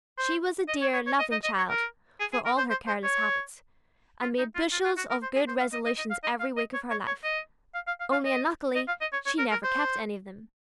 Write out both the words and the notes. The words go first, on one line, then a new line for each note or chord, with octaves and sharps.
She was a dear, loving child, for all her careless habits, and made bushels of good resolutions every week of her life, only unluckily she never kept any of them.
C5
D#5
C#5
C#5
C#5
D#5
D#5
D#5
C#5
A#4
G#4
G#4
A#4
C5
C5
C5
C#5
F4
D#4
F4
F4
F4
F#4
A#4
C5
G#4
C5
F5
D#5
D#5
D#5
F5
D#5
F5
D#5
C#5
C#5
C#5
D#5
F5
F5
F5
F5
D#5
D#5
F5
D#5
C#5
C#5
A#4
A#4
C5